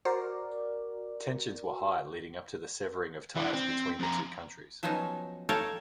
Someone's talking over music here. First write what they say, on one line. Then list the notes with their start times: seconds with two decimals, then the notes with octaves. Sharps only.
Tensions were high leading up to the severing of ties between the two countries.
0.05 F#4 A#4 C5 D5
3.36 E3 D4
3.54 C4
3.99 F2 A#5
4.83 F3 F#3 B3 C#4 D#4
5.49 A4 C#5 F5 G5 A5 A#5